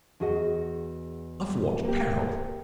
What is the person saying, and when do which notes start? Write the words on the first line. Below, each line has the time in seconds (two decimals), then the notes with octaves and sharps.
Of what peril?'
0.20 E2 F#4 G#4 D#5 F#5
1.85 A#3 G4